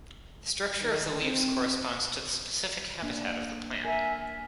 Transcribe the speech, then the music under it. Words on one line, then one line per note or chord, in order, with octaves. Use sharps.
The structure of the leaves corresponds to the specific habitat of the plant.
D#3
C4
A#3 D4
A#4 E5 G#5